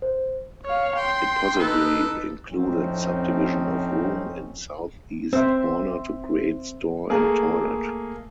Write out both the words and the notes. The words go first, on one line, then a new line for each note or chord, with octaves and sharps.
It possibly included subdivision of room in southeast corner to create store and toilet.
C5
C#5 F5
G5 C6
D#4 A4 B4
F2 A2 F3 C4 C#4 D#4
C4 C5 E5
A3 A#3 G#4